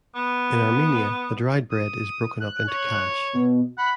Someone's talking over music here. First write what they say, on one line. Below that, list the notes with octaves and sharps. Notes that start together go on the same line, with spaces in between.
In Armenia the dried bread is broken up into khash.
B3
D#6
F#6
C#5
B2
F#5 B5